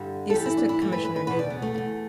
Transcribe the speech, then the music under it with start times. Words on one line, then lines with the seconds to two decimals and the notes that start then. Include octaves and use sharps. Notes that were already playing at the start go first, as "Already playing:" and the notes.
The Assistant Commissioner knew the lady.
Already playing: G2 D3 G4
0.30 A4
0.34 G2 E3 G4
0.46 E4
0.57 D4
0.69 E4
0.80 G2 E3 A3
0.92 B4
1.05 B4
1.16 B4
1.27 E2 B2 B4
1.39 D5
1.50 B3
1.62 A3
1.74 B2
1.78 E2